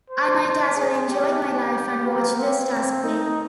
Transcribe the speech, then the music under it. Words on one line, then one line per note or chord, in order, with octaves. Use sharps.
I might as well enjoy my life and watch the stars play.
C5
G#4
G4
A#3
C4
C4
D#4